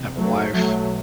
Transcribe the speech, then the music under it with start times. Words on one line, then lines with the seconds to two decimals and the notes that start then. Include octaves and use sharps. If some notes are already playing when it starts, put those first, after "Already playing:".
I have a wife,
Already playing: F#1 E2 C3
0.16 F#3 A3
0.51 B1 B2 F#3 A3